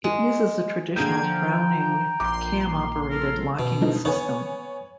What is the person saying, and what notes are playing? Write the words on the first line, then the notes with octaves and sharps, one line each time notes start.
It uses a traditional Browning cam-operated locking system.
G#3
D3 A#3 G#4 G5 A#5 G6 G#6
F3
A#1 C6 D6
A4 A#4
B2
D3 F3 D#4
B3 C#5 G#5